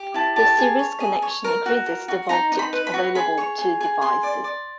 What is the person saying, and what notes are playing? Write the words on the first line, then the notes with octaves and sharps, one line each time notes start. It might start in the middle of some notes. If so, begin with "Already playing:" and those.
The series connection increases the voltage available to devices.
Already playing: G4
E4 A5
G4 A5
G#4
C#5
G#4
C#5
A#4
F#4
A#4
F#4
D#4 A#5
D#4
B5
B4
B5
F#4
G#4 B5
C#5
G#4
G#4
G#4 C6
D5
D5